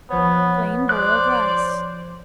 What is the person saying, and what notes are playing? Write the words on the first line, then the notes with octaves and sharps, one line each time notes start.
Plain Boiled Rice.
A#1 F3 B3 C#5
C5 D5 F#6